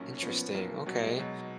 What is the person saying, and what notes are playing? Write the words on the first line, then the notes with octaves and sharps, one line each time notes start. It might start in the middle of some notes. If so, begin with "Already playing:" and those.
Interesting. Okay.
Already playing: B1 A#2 A#3 C#4
C#4
F3 B3
B1 A#3
B2 F#3
G#3
B2 F#3